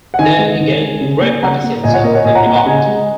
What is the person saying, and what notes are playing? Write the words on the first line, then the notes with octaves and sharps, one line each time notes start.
There he gained great proficiency in the art.
F#5
D#3 D#5 G#5
G#3
D#3
G#3
C#3
A#3
C#3 F#5 A#5
A#3
A#2 D#5 G#5
C#5 F#5
A#3 A#4 D#5
C#5 F#5
A#2 D#5 G#5
F#5 A#5
A#3 F#5 A#5
F#5 A#5
C#3 D#5 G#5
G#3